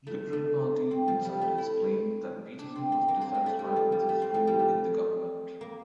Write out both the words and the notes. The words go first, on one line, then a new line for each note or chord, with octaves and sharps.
Liberal party insiders claimed that Peterson was dissatisifed with his role in the government.
A3
A3
C4
F3
G3
A3
E4
D4
C4
C4
A#3
C4
A#3
A3
G3
F3
G3
A3
C4
F3
G3
A3
A#3